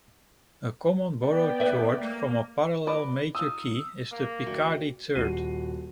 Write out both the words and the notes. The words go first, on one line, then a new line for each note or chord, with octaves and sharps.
A common borrowed chord from a parallel major key is the Picardy third.
B3 D5 G5
B4 E5
A#3
B4 D5 D#5
D#4 F4 D#6 E6
A#3
D2 F#4 G5
D#1 F#4 C7 D#7